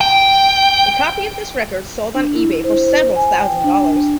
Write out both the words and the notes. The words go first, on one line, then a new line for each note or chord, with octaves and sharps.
A copy of this record sold on eBay for several thousand dollars.
G5
D4
E4
C5
G#5
G5
D4